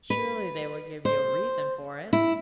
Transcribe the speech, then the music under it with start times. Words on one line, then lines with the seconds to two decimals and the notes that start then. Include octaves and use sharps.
Surely they will give you a reason for it.
0.10 B4
1.05 C5
2.13 E4